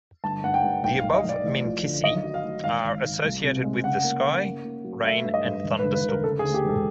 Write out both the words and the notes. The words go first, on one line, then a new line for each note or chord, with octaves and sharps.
The above minkisi are associated with the sky, rain, and thunderstorms.
G1 A5
G2 F#5
G5
G2
B1 G5
F5
B1
D#5
B1
D5
A1
F3
D3
D#3 D#5
F#3
F5
F#3
G#1 F5
G#1
G#1
C2
C3
G#3
C#3 F#5
A#3
C#3
A#3
A#3
F#3
A3 E5
G2
D#5
G2
E1
B4
D3
B4
D3 A#4
C#3 A4
G#4
D2
G4
E1 A4